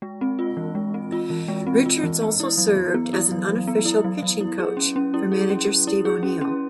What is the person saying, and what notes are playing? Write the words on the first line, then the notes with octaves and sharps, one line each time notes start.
Richards also served as an unofficial pitching coach for manager Steve O'Neill.
G#3
C4
F4
E3
G#3
C4
F4
E3
G#3
C4
F4
E3
B3
E4
F#3
F#3
B3
E4
F#3
F#3
B3
E4
F#3
F#3
E4
G#4
C#4
C#4
E4
G#4
C#4
C#4
E4
G#4
C#4
C#4